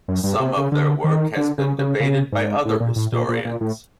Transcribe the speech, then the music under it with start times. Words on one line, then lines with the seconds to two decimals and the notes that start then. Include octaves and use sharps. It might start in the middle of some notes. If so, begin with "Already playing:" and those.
Some of their work has been debated by other historians.
0.08 F#2
0.24 G2
0.40 C3
0.57 C#3
0.72 D3
1.04 D#3
1.37 D3
1.58 C#3
1.79 C#3
2.00 C#3
2.32 G#2
2.65 A2
2.80 A#2
2.96 A2
3.12 A#2
3.29 A#2
3.45 A#2
3.61 A2